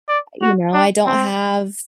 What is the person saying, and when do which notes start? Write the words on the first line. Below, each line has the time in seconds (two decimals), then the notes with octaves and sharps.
you know, I don't have
0.08 D5
0.42 F#4
0.73 D4
1.06 C4